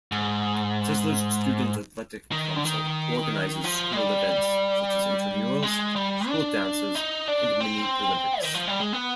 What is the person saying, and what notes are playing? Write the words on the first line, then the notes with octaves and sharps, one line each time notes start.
Sisler's Student Athletic Council organizes school events such as intramurals, school dances, and mini-olympics.
G#2
D#3
D3
D#3
F3
G#3
G3
G#3
G3
D4
D#4
D4
C4
D#3
F3
G3
G#3
B3